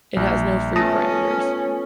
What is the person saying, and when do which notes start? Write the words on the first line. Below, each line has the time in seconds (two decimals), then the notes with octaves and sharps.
It has no free parameters.
0.16 A#1 G3
0.76 A3 B3 C#4 F4 B4 A5 D#6 A#6